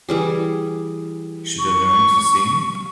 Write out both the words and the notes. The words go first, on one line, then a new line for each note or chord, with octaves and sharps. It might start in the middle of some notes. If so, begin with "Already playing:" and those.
Should I learn to sing?
E3 G3 G#4
C#6